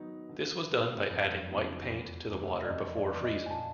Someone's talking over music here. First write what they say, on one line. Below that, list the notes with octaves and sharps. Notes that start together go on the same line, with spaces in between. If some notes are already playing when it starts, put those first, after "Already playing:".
This was done by adding white paint to the water before freezing.
Already playing: D#3 F#3 B3 D#4
D3
G3 B3
F2
C#3 F#3 B3 D#4
E2
C3 E3 A3
D5
F2 D#5
D5
C#3 E3
D#5
G#5
A#2 A5